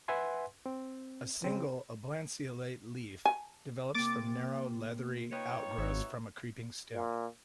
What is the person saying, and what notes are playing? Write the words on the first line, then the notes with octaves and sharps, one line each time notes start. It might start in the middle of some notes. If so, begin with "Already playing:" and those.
A single oblanceolate leaf develops from narrow, leathery outgrowths from a creeping stem.
B4 E5 F#5 G#5 C6
C4
C#3 C4
G#5
C3 A#3 D6 A6
D#4 F4 B4 C#5 D#5 G5
G#1 F#4 E5
A#2